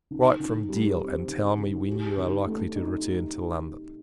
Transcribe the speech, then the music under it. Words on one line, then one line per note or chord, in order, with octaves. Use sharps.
Write from Deal, and tell me when you are likely to return to London.
D#3
D#3
G3
C4
D#3
D#3
G4
D#3
A3
D#4